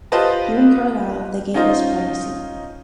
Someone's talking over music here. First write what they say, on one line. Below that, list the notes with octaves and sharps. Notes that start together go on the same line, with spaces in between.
Here in Carlisle they gave us privacy.
F4 G4 B4 C5 D#5 A5
C#4 D#4 F4 C5 D#5